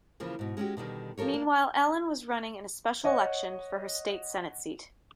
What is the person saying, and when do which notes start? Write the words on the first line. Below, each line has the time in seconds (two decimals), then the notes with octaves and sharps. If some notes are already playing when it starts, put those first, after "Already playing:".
Meanwhile Allen was running in a special election for her State Senate seat.
0.20 C#3 E3 F3 A#3
0.39 G#2 B2
0.57 G#3 C#4 D4 F#4 G4
0.77 B2 D3 D#3 G3
1.18 F3 G4 A4 A#4 C#5
1.34 A#3
3.04 C#5 D#5 F#5